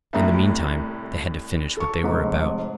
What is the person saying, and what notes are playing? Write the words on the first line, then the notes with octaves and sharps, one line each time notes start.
In the meantime they had to finish what they were about.
C2 A2 E5 A#5
A4 C#6
F1 G#2